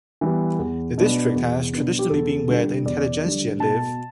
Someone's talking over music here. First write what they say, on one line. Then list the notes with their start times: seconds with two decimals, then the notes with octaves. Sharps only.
The district has traditionally been where the intelligentsia live.
0.21 E3 G3 B3
0.59 E2
0.98 B2 B3 D4
1.35 E2
1.73 B2 B3 D4
1.99 G4
2.10 E2 A4
2.48 D3 G3 D4
2.85 E2 D5
3.24 D3 G3 D4
3.60 B2 A5